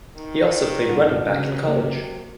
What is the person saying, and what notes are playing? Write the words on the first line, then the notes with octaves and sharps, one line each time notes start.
He also played running back in college.
D#3
G2 B2 D3 C4
C#3 F#3
C3 F#3 A#3